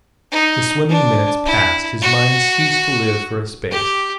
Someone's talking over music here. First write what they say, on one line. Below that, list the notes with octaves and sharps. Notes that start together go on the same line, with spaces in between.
The swimming minutes passed; his mind ceased to live for a space.
D#4
D4
E4
F#4
G4